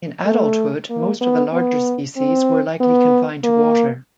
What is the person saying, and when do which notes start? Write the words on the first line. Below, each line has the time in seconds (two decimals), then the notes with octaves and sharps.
In adulthood, most of the larger species were likely confined to water.
0.25 A3
0.90 A#3
1.21 B3
1.53 B3
2.17 C4
2.80 B3
3.44 A#3